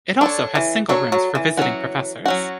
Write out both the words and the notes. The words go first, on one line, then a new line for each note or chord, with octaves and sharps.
It also has single rooms for visiting professors.
D3 D4 A4 C#5
E3
F#3 D4 A4 C#5
F#3
E3
F#3 C#4 F#4
F#3 C#4 F#4